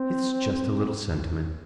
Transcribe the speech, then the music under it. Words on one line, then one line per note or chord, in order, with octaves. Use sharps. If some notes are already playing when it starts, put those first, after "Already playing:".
It's just a little sentiment....
Already playing: C4